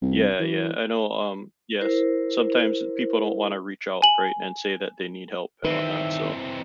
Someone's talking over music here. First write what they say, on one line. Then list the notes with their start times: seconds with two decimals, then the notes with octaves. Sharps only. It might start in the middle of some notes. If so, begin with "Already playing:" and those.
Yeah, yeah, I know, um Yes, sometimes people don't want to reach out, right, and say that they need help and whatnot, so
0.02 C2
0.40 E3
1.81 E4 A#4 C5
4.02 G#5 F#7
5.64 D#3 E3 C4 B4 E5